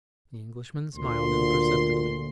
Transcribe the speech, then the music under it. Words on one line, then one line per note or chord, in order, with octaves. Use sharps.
The Englishman smiled imperceptibly.
D2 A#2 C6